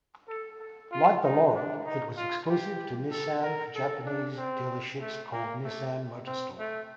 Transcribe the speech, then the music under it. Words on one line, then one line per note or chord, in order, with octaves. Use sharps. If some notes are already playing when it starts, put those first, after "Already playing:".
Like the Laurel, it was exclusive to Nissan Japanese dealerships called Nissan Motor Store.
A4
A4
F4
D#4
D4
D#4
F4
G4
A4
A#4
A4
D4
C4
A3
A#3
A3
C4
A3